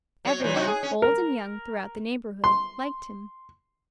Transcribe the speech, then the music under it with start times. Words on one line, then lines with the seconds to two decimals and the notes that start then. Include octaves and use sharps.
Everyone, old and young throughout the neighborhood, liked him.
0.25 F#3 C#5
0.40 A#2 E3
0.54 C3 D#4 F#4
0.67 G#4
0.83 C#4
1.02 A#4
2.44 C6